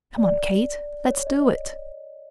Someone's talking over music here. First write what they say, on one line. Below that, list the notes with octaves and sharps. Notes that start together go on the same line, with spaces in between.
Come on, Kate, let's do it!
D5
C#5
D#5